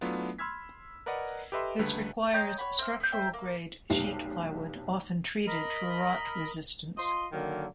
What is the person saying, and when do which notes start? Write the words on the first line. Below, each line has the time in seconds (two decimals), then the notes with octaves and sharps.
This requires structural grade sheet plywood, often treated for rot resistance.
0.01 F#3 A3 B3 D4 E4 F4
0.39 B5 C6 E6 F6 G#6 B6
1.06 A#4 B4 D5 D#5 F#5
1.52 G4 A4 B4 D#5 E5 C6
1.79 C#2 D3 G3 A3 B4 B6
2.33 C#5 D#5 G5 A#5
2.58 C#5 F#5 B5
2.79 C4 E5 F6
3.00 B3 G6
3.12 C5 E5 G5
3.33 A#3
3.90 F1 B1 G4 C7
5.47 A#4 D#5 B5
6.97 F4 D#5 C6
7.32 D3 D#3 F#3 A#3